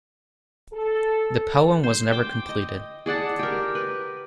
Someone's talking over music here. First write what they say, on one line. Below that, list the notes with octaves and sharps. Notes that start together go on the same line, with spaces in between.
The poem was never completed.
A4
C5
G5 D6
D#5
G#4 D5 F#5 A5
G4 A#4
B4